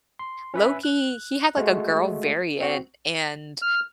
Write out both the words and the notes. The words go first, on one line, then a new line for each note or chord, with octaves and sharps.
Loki, he had like a girl variant, and
C6
C#4 B4 E5
F#6
G#3 A3 F#4
C4 F#4
F6